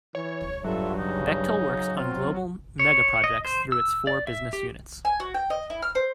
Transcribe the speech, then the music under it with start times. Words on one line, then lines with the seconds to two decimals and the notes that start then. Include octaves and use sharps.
Bechtel works on global megaprojects through its four business units.
0.15 E3 C#5
0.64 G2 F#3 F4 A4 E5
0.99 C#3 D#4
1.97 C4 F4
2.79 C#5
3.24 D#5
3.45 C5
3.72 E6
4.07 D5
4.27 E5
4.53 G4
5.05 G#5
5.20 F#4
5.34 G5
5.50 D#5
5.70 E4
5.82 F6
5.95 C5